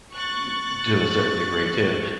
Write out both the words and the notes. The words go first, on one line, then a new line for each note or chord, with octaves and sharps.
eh, to a certain degree too,
C#6 F#6 A6